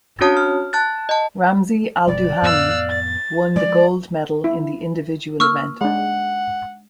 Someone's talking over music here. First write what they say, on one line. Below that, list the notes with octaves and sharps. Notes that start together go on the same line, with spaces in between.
Ramzy Al Duhami won the gold medal in the individual event.
C#4 D4 F#4 C#5 A5 D#6
F6
A5 F#6 A6
D#5 A5
F#1 B2 G3 D5
F2 A2 B3 F5 E6 F#6
A6
F3 G#3 D5
E4
A#3 C#6 E6 F6
G#3 D4 F#5